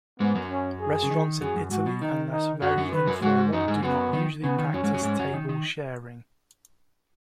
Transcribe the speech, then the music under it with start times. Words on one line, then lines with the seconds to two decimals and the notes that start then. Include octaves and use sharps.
Restaurants in Italy, unless very informal, do not usually practice table sharing.
0.20 G#2 G#3 B3
0.35 F#2 F#3
0.50 C#4
0.81 G#4
1.03 C#3
1.11 D#3
1.41 F#2 F#3 G#4
1.56 F#2
1.71 G#2 F#4
1.86 B2
2.02 D#3 D#4
2.32 D#4
2.62 F#2 F#3 F#4
2.77 F#2 F#3
2.92 D#3 B4
3.07 F#2 F#3
3.22 G#2 G#3 F#4
3.53 F#2 F#3 D#4
3.68 G#2 G#3
3.83 F#2 F#3 B3
4.13 D#3
4.43 C#3 B3
4.58 D#3
4.74 F#2 F#3 C#4
4.84 G#2 G#3
4.94 F#2 F#3
5.03 G#2 G#3
5.19 F#2 F#3
5.34 D#3
5.49 D#3